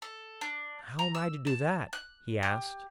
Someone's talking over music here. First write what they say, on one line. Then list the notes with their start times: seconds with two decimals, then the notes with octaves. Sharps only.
'How am I to do that?' he asked.
0.02 A4
0.41 D4
0.99 A#5
1.15 E6
1.47 A5
1.93 F#6
2.43 G4